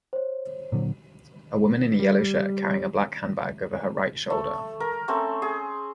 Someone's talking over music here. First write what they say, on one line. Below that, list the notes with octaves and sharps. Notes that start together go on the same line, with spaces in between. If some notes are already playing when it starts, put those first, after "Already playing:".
A woman in a yellow shirt carrying a black handbag over her right shoulder.
C5 C#5
A#2 D3 F#3
G3
A3
A#4
A3 C4 C#4
G#4